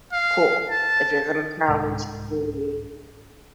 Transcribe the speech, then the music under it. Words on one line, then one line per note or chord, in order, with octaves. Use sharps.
cool. If you're gonna challenge me,
F5
A5
C2 G#2